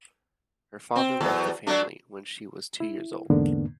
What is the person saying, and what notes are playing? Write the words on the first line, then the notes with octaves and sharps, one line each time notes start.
Her father left the family when she was two years old.
C4
E2 F#3 A4
F#3 A3 D4
E4
E2 G#2 D3 A#3 B3 D4